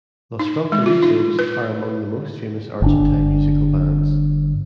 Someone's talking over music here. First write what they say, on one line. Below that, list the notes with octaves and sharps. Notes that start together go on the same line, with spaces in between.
Los Fronterizos are among the most famous Argentine musical bands.
D#4
G#3
F4
D#4
B4
G1 D4